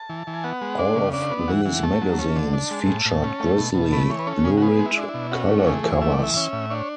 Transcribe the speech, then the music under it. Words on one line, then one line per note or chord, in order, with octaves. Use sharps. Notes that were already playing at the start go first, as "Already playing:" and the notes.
All of these magazines featured grisly, lurid color covers.
Already playing: A5
E3
E3
G#5
B3 F#5
G#3
D4 D5
C#3
D4 D5
B3
E3 F#5
E3
A3 A5
F#3
C#4
D3
D4
G#3
A2
A2
C#4
A3
B2
B2
A3 B5
E3 C#5
B4
C#4 A4
C#3 G#4
F#4
B3 G#4
G#3
E4
D4
E4
B2
C#4 F#4
A3
F#4
E3 G#4
E3
A3 E5
D5
E3 E5
C#4
A2
D4 C#5